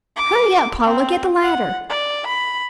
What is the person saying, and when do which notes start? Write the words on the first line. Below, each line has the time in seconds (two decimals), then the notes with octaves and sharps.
Hurry up, Paula, get the ladder.
0.16 D6
0.84 C4
1.42 F#5
1.89 D5
2.26 B5